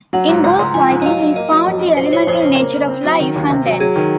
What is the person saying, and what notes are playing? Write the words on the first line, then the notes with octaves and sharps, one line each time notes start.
In bullfighting, he found the elemental nature of life and death.
F#3 F#5
G#2
C#2 A#5
C#2 C6
F3 G#5
G#2
D#5
F#3 F5
F#3
A#3 D#5
F#3
F2
F#3
A#2 C5
A#2 C#5
F2 C5
C#3
A#3
C#3
C4
F#3
D#3
D#2
C3
F#3
F#3 G#4
D#3